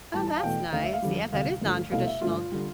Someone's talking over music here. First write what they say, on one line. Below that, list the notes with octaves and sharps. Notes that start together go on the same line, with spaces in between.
Oh, that's nice. Yeah, that is nontraditional,
A2 E3 G3 A5
A5
F5
E2 B2 A3 G5
D2 D3 A3 F5
E5
F5
F2 D3 G3
D2 C3 G3 F5
G2 D3 F3 A3
C2 B2 A3 F5
E5
G2 D3 A3 F4
D3 G3